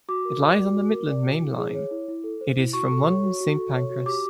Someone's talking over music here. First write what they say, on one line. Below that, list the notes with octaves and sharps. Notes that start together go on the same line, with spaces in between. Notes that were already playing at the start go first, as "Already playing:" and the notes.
It lies on the Midland Main Line, it is from London Saint Pancras.
F#4 D6
A#4
D5
F#4
F#4
A#4
D5
F#4
E4
G#4
C#5
E4
E4
A4
C5
E4
F#4 C#6
A4
C#5
F#4
F#4
A4
C#5
F#4
G4 D6